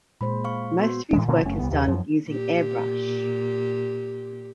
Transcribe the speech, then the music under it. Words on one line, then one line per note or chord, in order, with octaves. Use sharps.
Most of his work is done using airbrush.
A#2 G#3 C5 B5
F5 C#6
B3 F#4 C6
A2 E3 G#3
A#2 D3 A#3 C#4
F#1 F#2 A3 C#4
C2 B3
D#2 C3
F#2 F3
A#2 G4